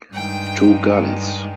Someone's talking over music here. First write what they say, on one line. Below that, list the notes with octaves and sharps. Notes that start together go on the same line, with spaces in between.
Two guns.
G2 D#3 G#3 G5